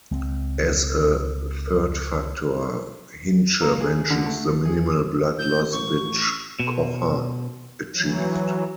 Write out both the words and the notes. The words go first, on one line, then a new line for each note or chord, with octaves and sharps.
As a third factor, Hintzsche mentions the minimal blood loss which Kocher achieved.
C#2 G#3 C4
A#3
G#4
D3
A3
G#4
A2 G6
A1 C#6
B2
E3 F#3